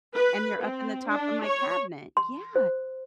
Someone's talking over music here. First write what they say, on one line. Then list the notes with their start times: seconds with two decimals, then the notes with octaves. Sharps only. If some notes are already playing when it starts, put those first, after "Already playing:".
and they're up in the top of my cabinet, yeah
0.14 B4
0.62 C4
1.08 D4
1.46 C#5
2.17 C6
2.56 C5